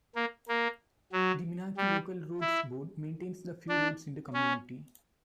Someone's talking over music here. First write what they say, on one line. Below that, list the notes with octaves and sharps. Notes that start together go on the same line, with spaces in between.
The Minaki Local Roads Board maintains the few roads in the community.
A#3
A#3
F#3
G3
E4
D4
C#4